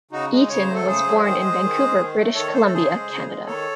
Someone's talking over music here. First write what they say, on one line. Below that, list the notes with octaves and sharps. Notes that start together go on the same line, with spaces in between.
Eaton was born in Vancouver, British Columbia, Canada.
C#3 D#4 F#4
G#3
C#3 C#5
C5
F#3 A3
A4
C#3 G#4 C5
F#3 A3
D#3 G#4 C5
G#3
D#3
G#3
D#3
A3
D#3 A4 C#5
A3 C5
A4
C#3 G#4 C5
G#3
C#3
G#3
D#3 A4 C#5